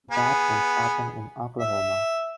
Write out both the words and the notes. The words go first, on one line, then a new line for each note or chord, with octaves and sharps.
That won't happen in Oklahoma.
B3 G#4
E5